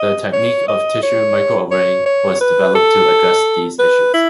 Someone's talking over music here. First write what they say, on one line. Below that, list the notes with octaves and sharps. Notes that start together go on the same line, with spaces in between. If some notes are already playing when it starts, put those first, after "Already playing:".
The technique of tissue microarray was developed to address these issues.
Already playing: D#5
C#5
D#5
C#5
C#5
C#5
B4
A4
B4
E4